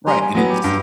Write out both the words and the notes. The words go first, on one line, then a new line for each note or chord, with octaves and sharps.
Right, and it's
G3 G#5 A#5 C6
G#5
F#3 B3
G4
G2